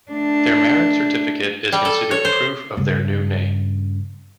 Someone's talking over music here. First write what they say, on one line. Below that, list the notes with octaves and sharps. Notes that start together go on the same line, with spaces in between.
Their marriage certificate is considered proof of their new name.
A3 D4
G3
A4
C#5
C5
G2 C#3